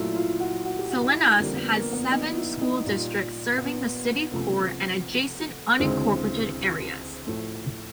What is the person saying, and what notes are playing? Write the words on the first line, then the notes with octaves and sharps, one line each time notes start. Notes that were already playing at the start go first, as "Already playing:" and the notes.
Salinas has seven school districts serving the city core and adjacent unincorporated areas.
Already playing: A#2 F#3 A3 E4
E4
F4
F#4
F#4
G4
F#4
D#4
E4
F2 D3 G3 A#3
B3
A#3
B3
D#4
E4
D#4
A#2 G3
B3
C#2 C3 F3 A3
D2 C#3 E3 G#3 C4
A2 F3 A3